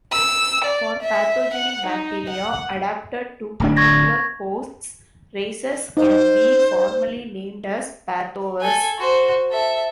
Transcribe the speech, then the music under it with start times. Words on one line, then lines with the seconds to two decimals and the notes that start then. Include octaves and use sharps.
For pathogenic bacteria adapted to particular hosts, races can be formally named as pathovars.
0.13 E6
0.65 D5
1.02 E5
1.54 F#5
1.87 D#4
2.30 F#5
3.60 D1 D2 D4
3.77 C#6 G#6 A#6
5.97 D#4 C5
8.61 A4 G#5
8.98 F#4 C5
9.52 A4 E5